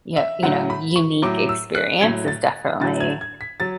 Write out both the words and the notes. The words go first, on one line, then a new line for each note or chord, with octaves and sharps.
yo you know, unique experience is definitely,
E5
A2 F#3 F#5
B5
C#6
A2 F#3 D6
E6
F#6
A2 F#3 G#6
A6
A2 F#3 A6
G#6
G#6
B6
F#3 A6